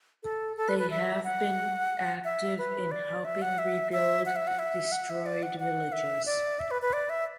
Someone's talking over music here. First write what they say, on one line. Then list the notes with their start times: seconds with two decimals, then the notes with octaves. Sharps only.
They have been active in helping rebuild destroyed villages.
0.23 A4
0.57 A4
0.69 B4
0.79 B4
0.90 E5
1.25 F#5
2.24 E5
2.58 B4
2.91 D5
3.25 E5
3.42 F#5
3.58 E5
3.92 E5
4.26 F#5
4.36 E5
4.47 F#5
4.59 E5
4.92 F#5
5.10 E5
5.26 D5
5.43 F#5
5.60 F#5
5.92 E5
6.26 D5
6.59 E5
6.71 B4
6.82 B4
6.93 D5
7.09 E5